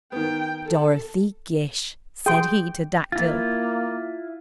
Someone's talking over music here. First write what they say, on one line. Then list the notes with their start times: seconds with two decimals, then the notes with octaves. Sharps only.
DOROTHY GISH, said he to Dactyl.
0.12 D#3 B3 G5
0.65 A4
2.26 G#4 G5 C6
3.12 A#3 E4 F4 A6